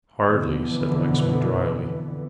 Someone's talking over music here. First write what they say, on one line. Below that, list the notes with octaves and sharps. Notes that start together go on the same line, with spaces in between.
"Hardly," said Lexman, drily.
F2 B2 D3 E3 B3